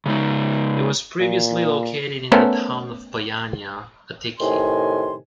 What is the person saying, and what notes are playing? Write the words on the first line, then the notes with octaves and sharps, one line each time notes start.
It was previously located in the town of Paiania, Attiki.
C#3 G#3 D#4
A#2
A3 B3 C#4 A4 A#4 C5
A2 C3 D#3 G#5 C6